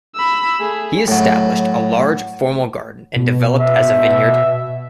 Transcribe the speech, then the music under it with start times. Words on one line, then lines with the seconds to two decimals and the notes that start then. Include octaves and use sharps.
He established a large formal garden and developed as a vineyard.
0.15 B5 E6
0.60 A3 G#4
1.08 A2 F#3
3.16 B2
3.60 E5